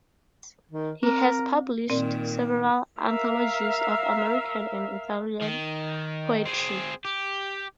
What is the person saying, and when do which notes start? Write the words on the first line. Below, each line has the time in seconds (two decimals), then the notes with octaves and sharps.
He has published several anthologies of American and Italian Poetry.
0.71 D#3
1.03 C4 A#4
1.90 A#2 D#3 C4 A#4 D5
2.99 A#4 E5 F5
5.41 D#3
6.46 C4 G#4
7.05 G4